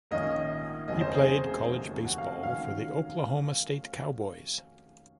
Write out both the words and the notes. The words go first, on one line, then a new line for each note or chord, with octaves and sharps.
He played college baseball for the Oklahoma State Cowboys.
A#1 G#2 D#3 A#3 C#4 D#5
F1 D#2 C#3 F#3 C4 D#5
C5
G#4
F1 D#2 C#3 F#3
F#4
F5
D#3 F#3 C#4 F5